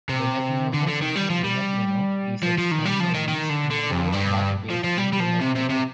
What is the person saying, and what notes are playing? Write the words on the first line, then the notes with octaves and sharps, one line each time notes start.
Domagnano or simply Domagnano, is a Sanmarinese football club, based in Domagnano.
C3
D3
D3
D#3
G3
F3
G3
F3
F3
D#3
G3
F3
D#3
D#3
D3
D3
F2
G2
F3
F3
G3
G3
F3
C3
C3
C3